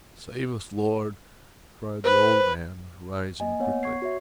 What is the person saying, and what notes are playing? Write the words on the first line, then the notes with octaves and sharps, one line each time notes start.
"Save us, Lord!" cried the old man, rising quickly.
B4 C5
A#3 D#5 G#5
B3 C#5 F#5
C#6 G#6 C7
F#4 C#5 E5